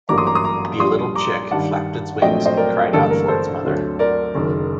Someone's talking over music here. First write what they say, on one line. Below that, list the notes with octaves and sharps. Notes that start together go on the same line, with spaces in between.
The little chick flapped its wings and cried out for its mother.
A1 G2 F#3 A#3 A#5 D6
C6 D#6
A#5 D6
C6 D#6
A#5 D6
A#1 A#2 G3 C6 D#6
A#5 D6
G2 D#3 G3 F#5 A5
A#1 A#2 F#3 A3 C4 D#5 G5
C5 D#5
A#4 D5
A1 G2 D3 G3 A#3 A4
A#4
A4 C5
D2 D3 F#3 A3 C4
A#4 D5
F#1 F#2 D#3